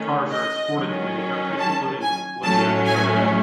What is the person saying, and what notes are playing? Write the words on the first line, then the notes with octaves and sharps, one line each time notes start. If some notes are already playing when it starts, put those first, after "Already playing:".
Cars are exported to many countries, including Libya and Trinidad.
Already playing: D#3 A3 C#4
D#5
D#3 F#3 C#4
A5
G#5
A2 F#3 A3 C#4 A5
G#5